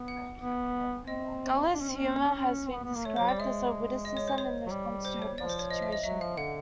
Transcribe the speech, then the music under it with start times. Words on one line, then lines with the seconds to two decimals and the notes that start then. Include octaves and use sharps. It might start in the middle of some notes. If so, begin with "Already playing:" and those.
Gallows humor has been described as a witticism in response to a hopeless situation.
Already playing: B3
0.08 F#5
0.41 B3
1.07 C4 D#5
1.73 D4
1.81 C#4
1.89 C4
1.96 C#4
2.66 C4
2.73 B3
2.84 B3
2.95 A#3
3.05 A3 C#5
3.16 C5
3.19 F#3
3.29 G3 D5
3.39 G#3 E5
4.05 D#5
4.17 C#5
4.28 C5
4.38 C#5
4.66 F#3
4.71 G3
5.05 C5
5.22 C#5
5.38 F3 D5
5.49 C5
5.59 C#5
5.71 D#5
5.82 E5
5.92 D#5
6.04 F#3 E5
6.21 F3 F5
6.37 D3 F#5